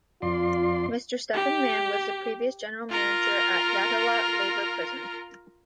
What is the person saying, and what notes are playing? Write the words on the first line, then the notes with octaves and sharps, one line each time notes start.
Mr. Stephen Mann was the previous General Manager of Yatala Labour Prison.
F2 F4 D5 C6
G4
F4 A#4